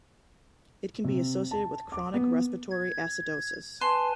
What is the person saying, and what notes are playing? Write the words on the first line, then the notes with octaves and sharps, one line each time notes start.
It can be associated with chronic respiratory acidosis.
C3
A5
D6
B3
G#6
B4 G#5 A5 C6